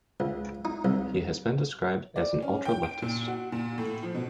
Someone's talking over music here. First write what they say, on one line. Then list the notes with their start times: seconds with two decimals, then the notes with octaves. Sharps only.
He has been described as an ultra-leftist.
0.20 C#2
0.65 D#4
0.85 C2
2.16 D5
2.42 C#4
2.65 G5
2.83 D7
3.02 A#2
3.28 F#4
3.52 A#2
3.78 A2
4.03 F3
4.15 B2